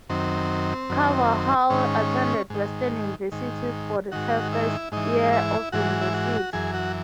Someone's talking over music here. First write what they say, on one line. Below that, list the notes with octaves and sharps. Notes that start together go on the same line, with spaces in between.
Carvalhal attended Western University for her first year of University.
F#2 D#3 C4
F#2 D#3
G#2 D#3 C#4
G#2 D#3
G#2 D#3
G#2 D#3 F#4
E4
G#2 E3 D#4
E4
G#2 E3 F#4
E4
F#4
F#2 E3 G#4
F#4